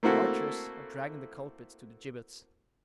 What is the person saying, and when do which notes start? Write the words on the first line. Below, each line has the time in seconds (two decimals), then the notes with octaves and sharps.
The archers are dragging the culprits to the gibbets.
0.03 A3 A#3 C4 E4 F#4 A4